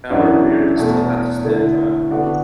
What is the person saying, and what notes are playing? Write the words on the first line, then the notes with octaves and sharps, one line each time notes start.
However, Reardon still had to stand trial.
F#2 E3 D4 F#4
E2 B2 A3
D3 A3 E4
D3 B3 D4 F#4